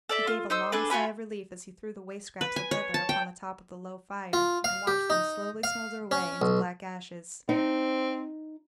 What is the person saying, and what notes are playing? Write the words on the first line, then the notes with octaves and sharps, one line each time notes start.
He gave a long sigh of relief as he threw the waste scraps of leather upon the top of the low fire, and watched them slowly smoulder away into black ashes.
A4 D5 E5
F4
D#4 C5 E6
D4 G#4 A4 B4
F4 F#4 G#5 B5
B4
G#5
C#5
A5
G5
F4
F5
G4
D#4
F5
C#4
B1
C4 D#4